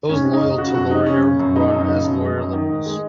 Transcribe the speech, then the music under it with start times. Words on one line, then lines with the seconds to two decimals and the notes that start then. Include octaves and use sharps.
Those loyal to Laurier run as Laurier-Liberals.
0.09 G#2 C#4
0.25 G#3
0.33 D#4
0.41 G#2
0.58 C#3 F#4
0.74 F#2 F#4
0.90 G#3 D#4
1.06 F#2 C#4
1.23 C#3
1.39 F#2
1.55 G#3 D#4
1.72 F#2
1.80 D#4
1.88 C#3
2.04 F#2
2.21 G#3
2.37 F#2
2.53 D#3
2.69 G#2
2.86 G#3